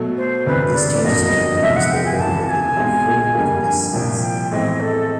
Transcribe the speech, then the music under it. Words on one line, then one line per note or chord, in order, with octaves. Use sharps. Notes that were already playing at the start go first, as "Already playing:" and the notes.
These changes may have reduced the availability of food and of nest sites.
Already playing: B2 F#3 A3
C5
E1 D2 C3 B4
D5
G1 F2 D3 F#3 A#3 D#5
F1 E2 C3 F3 E5
F#5
G5
G#5
C#2 C3 E3 A5
G#5
B1 B2 G#3
F2 D3 G3 A#3
C2 A#2 F3 G5
G5
A2 E3 G#3 C4 D#5
A4